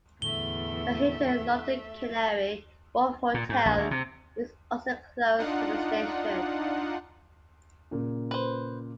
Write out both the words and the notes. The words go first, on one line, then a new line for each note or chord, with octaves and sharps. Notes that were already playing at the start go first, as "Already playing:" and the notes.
The Hilton London Canary Wharf hotel is also close to the station.
E2 A2 D3 A3 E5 G7
A#2
G#2
A#1
D2
C3
D4 D#4 F4 F#5
A#2 C#3
B4 C5